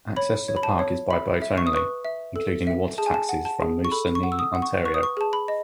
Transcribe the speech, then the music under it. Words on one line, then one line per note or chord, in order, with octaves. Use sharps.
Access to the park is by boat only, including water taxis from Moosonee, Ontario.
C#5 B5
C#5
B5
A5
C#5
E5 B5
E5
C#6
D#6
B4 C#6
E5
A4
E5
G#4 A5
G#5
A5
F#5
A5
G#4
C#6
A4 B5
C#6
F#5
E6
D#6
F#5
C#6
B4 C#6
D#6
C#6
G#4 A5
B5
D#5